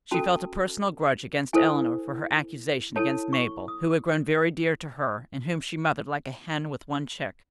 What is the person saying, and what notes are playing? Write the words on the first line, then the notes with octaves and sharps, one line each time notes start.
She felt a personal grudge against Eleanor for her accusation against Mabel, who had grown very dear to her and whom she mothered like a hen with one chicken.
C#4 F#4 A4 A5
E4 A4 C5 G#5
E4 A4 C#5 A5
C#6
D#6